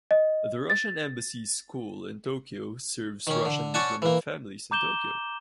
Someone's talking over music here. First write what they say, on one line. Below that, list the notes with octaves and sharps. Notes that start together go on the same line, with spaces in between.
The Russian Embassy School in Tokyo serves Russian diplomat families in Tokyo.
D#5
A6
D#3 C#4
D3
C#4 C#5 D5 F#5 G#5 A5
E3 A#3
A#5 D6 G6 E7 G7